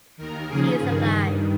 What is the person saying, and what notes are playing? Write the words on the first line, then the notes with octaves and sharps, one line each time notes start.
He is alive.
D#2 D#3 A#4
D#2 C#3 F3 G#4
G2 D#3 G#4
G2 D#3